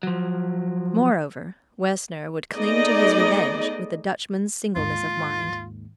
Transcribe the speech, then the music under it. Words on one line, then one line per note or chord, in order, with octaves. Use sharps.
Moreover, Wessner would cling to his revenge with a Dutchman's singleness of mind.
F3 F#3
A3 B3 D#4 G#4 D5 D#5
D#2 G#2 F4